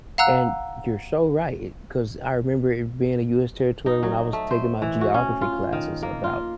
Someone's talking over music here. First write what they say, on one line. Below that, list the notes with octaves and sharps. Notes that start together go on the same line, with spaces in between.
and you're so right it 'cause I remember it being a US territory when I was taking my geography classes about
F5 F#5 A#5 E6 F#6
D#4
F#3
A3
C5
E3
F#4
C#4
F4
D#3
A#3
F4